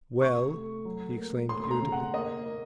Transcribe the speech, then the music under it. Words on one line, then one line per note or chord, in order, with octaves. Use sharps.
'Well?' he exclaimed irritably.
C3 C#6
A3
F#3
A#3
A3 C6
C6
A#5
C#3
F#5
A#3 D#5
A#3